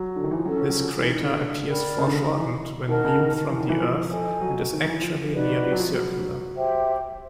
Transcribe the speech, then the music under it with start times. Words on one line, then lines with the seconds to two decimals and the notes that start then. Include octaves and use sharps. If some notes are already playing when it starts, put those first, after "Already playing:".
This crater appears foreshortened when viewed from the Earth, and is actually nearly circular.
Already playing: F#3
0.16 D3
0.24 D#3
0.31 E3
0.38 F3
0.45 F#3 C#4 F#4 A4
0.61 F3
0.69 F#3
0.76 F3
0.99 E3
1.07 D#3
1.22 D3
1.67 A#4 D5 G5 B5
1.98 C#3
2.07 D3
2.16 C#3
2.29 D#3
2.38 E3
2.89 D#3 A#4 D#5 F#5 A5
3.04 C#3
3.19 D#3
3.49 E3
3.60 D#3
3.69 E3
3.80 F3
4.11 A4 C5 D#5 G#5
4.41 F#3
4.72 D#3
4.88 E3
5.02 F3
5.32 D#4 F#4 B4 D5
5.63 F3
5.72 F#3
5.79 F3
5.94 F#3
6.55 G4 C5 E5 G5